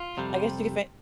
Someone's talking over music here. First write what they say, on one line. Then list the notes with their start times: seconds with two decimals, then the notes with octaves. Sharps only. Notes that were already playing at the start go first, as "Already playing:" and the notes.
I guess you could say
Already playing: F4
0.17 F2 C3 G3